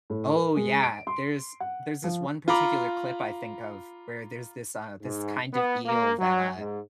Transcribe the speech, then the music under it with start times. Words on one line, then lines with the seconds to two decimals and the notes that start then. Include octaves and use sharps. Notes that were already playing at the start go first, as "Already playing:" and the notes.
Oh, yeah. There's there's this one particular clip I think of where there's this, uh this kind of eel that, uh
0.10 A2
0.36 A#4
0.56 G#3
0.83 D7
1.07 C6
1.60 F#5
2.04 F3
2.48 F4 A#5 B5 D6
5.02 G#2
5.53 B3
5.86 A#3
6.18 F#3
6.57 G#2